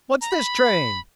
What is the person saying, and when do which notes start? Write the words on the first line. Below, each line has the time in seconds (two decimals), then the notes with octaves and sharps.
"What's this train!"
0.21 A#5
0.31 B5